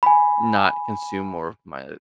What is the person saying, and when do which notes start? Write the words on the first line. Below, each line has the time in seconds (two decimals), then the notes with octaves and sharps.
not consume more of my
0.03 G#5 B5